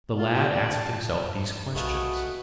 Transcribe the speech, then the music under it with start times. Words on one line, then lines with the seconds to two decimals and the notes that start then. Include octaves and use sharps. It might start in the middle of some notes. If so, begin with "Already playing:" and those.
The lad asked himself these questions.
0.18 F4
0.34 G4
0.52 D5
0.73 A5
1.75 B1 G#3 A3 F4 F#4 B4 F#5 D#6